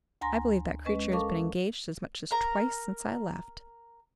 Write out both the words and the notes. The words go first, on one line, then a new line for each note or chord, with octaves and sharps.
I believe that creature has been engaged as much as twice since I left.
D2 G#5 A#5 C6 A#6
G#3 C#4 B4 D#5
A4 A#4 F5 A5 C#6 D6
A#4 A#5